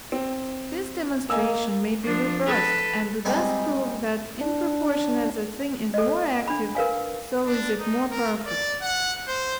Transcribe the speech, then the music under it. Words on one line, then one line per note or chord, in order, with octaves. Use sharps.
This demonstration may be reversed, and thus prove that, in proportion as a thing is more active, so is it more perfect.
C4
A#3 D#5 G#5 E6
F3 D4
A4 B4
G3 G#3 C4 D#4 G4 G#4
D4
A4 D#5
D4 B5
A#4 B4 F5 G#5
D4
D#4
A#4
D5
F#5
C5